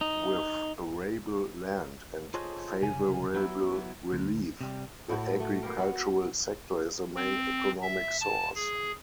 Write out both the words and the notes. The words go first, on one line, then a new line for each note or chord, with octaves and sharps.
With arable land and favourable relief, the agricultural sector is the main economic source.
D#4
F4 G#4 A4 C5 C#5 D#5
C2 F#2 C#3 C#4 G#5
F#3 B3 E4
D2
C3 G3
A2 E4 F#4
A3 F#4
A#3 B3 G4 A#4
B3 F#4
C4
E5
A5
G#4